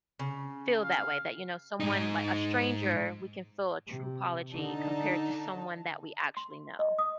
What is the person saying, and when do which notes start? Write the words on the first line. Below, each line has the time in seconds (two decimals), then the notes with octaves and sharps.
feel that way that, you know, someone li a stranger, we can feel a true apology compared to someone that we actually know.
0.19 C#3
0.83 F5
1.80 G#2 D#4
3.88 C3
4.54 D3 D4 D#4 A5
6.37 C6
6.79 D#5
6.99 D#6